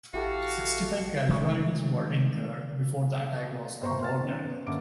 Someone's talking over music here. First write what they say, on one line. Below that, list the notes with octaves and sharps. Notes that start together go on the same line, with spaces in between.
Sixty-five casualties were incurred before the attack was aborted.
A1 E4 F#4 G4 A4 F5
C3 D#3 G#3 A3
G1 B2 C5 A#5 C#6
C6 F6 A6
D#3 C#4
B3
G1 D3 A#3 C#4 D6 D7